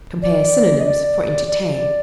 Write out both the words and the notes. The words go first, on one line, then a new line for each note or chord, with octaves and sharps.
Compare synonyms for ENTERTAIN.
D5
D#5
D5
D5